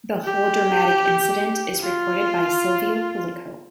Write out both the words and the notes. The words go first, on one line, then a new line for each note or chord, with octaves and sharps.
The whole dramatic incident is recorded by Silvio Pellico.
G4
F4